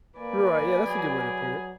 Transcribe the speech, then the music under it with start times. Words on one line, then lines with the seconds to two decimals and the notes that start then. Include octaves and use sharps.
Right, yeah. That's a good way to put it.
0.19 A#3 B4 D5 G#5
0.87 F#3 G#4